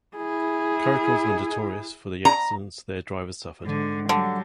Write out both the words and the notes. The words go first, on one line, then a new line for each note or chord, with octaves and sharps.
Curricles were notorious for the accidents their drivers suffered.
E4 G#4
A#5
G#2 D3
D3 F#3 G3